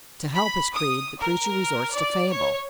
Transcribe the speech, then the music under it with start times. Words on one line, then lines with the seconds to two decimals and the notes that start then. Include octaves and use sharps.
To help his creed, the preacher resorts to fable.
0.33 B5
0.74 D#6
1.19 A#4
1.93 D5
2.31 C#5